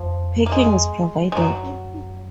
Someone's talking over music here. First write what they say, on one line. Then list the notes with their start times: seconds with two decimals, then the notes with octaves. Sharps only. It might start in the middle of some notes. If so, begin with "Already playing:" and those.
Parking is provided.
Already playing: F2 F3
0.46 A#3
0.52 G#3
1.32 G#3
1.36 F#2 F#3